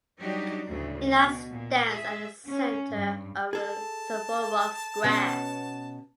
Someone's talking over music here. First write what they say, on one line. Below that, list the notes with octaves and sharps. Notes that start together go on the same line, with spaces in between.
It now stands at the centre of Suvorov Square.
F#3 G3 D4 D#4 F#4 G4
D2 A2 C#3
B2
A#2
G#4 E5
C#4
G2
G#4 A4 A5
B2 B3 C#4